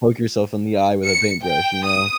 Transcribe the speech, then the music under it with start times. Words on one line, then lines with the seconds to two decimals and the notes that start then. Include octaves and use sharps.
poke yourself in the eye with a paintbrush, you know.
1.04 C#7
1.42 G5
1.87 D#6